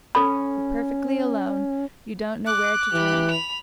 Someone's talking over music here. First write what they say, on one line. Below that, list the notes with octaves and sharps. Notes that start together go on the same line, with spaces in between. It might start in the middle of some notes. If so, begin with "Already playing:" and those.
You're perfectly alone; you don't know where to turn.
C#4 A4 B5
D6 F#6
E3 G4 B5
B5 F7